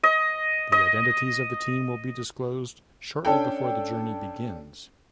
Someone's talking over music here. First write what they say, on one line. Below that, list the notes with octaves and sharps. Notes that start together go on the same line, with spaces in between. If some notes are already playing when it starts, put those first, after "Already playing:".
The identities of the team will be disclosed shortly before the journey begins.
D#5
D#5
C#4 D4 A4 G5